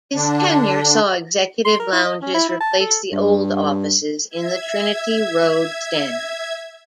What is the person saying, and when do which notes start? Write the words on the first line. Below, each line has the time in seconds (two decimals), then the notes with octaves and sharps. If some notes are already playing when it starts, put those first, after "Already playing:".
His tenure saw executive lounges replace the old offices in the Trinity Road Stand.
0.15 D3 D4
1.65 C6
1.80 A#4
1.92 E4
2.05 D#5
2.22 C#4
2.34 E4
2.49 E4
2.60 A5
2.80 A4
3.12 G2
4.29 E5 G#6